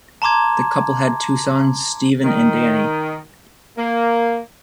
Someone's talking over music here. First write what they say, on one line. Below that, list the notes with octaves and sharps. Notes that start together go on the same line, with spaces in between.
The couple had two sons, Steven and Danny.
A5 A#5 C6 D6 G#6
D#3
A#3